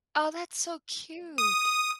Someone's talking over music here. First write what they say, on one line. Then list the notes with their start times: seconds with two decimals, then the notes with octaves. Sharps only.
Oh, that's so cute.
1.38 D#6